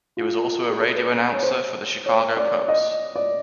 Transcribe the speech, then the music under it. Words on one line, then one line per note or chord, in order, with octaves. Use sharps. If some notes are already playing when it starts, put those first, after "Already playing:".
He was also a radio announcer for the Chicago Cubs.
F4
G#4
A4
B4
C#5
C5
C#5
D5
D#5
D5